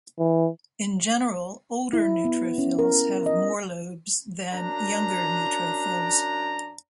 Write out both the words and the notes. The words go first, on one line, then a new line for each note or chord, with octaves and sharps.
In general, older neutrophils have more lobes than younger neutrophils.
E3
E4
B3
C#4
A#4
D#5
F#2 D4 A#5